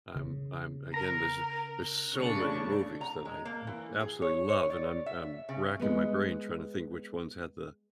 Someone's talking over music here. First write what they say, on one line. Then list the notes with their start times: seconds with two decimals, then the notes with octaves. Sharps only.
I'm I'm again, there's a there's so many movies that I just absolutely love, and I'm I'm racking my brain trying to think which ones had the
0.16 C#3
0.94 A#4 A#5
2.15 C#3 A3 D4 C#6
3.01 A#5
3.25 G#3
3.45 A#3
3.67 E3
4.01 G#4
4.22 C#5
4.48 C#5
4.70 D5
5.06 E5
5.49 C#3
5.80 G#3 B3